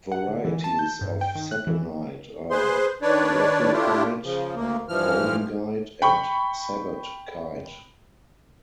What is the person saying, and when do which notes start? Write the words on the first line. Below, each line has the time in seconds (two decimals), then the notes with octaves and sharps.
Varieties of saponite are griffithite, bowlingite and sobotkite.
0.12 F#5
0.28 D3
0.45 E3
0.64 A5
0.79 G6
1.01 G2
1.21 G5
1.35 D#3
1.51 F#6
1.67 E3
2.50 G#4 B4 C5 C6
3.02 D#3 D4 B4 C#5 D5
3.72 A3 D4 E4 F4 G4
4.24 C#3 F3
4.55 D2 A#3
4.89 G2 E3 F3 F6
6.02 G5 B5 C#6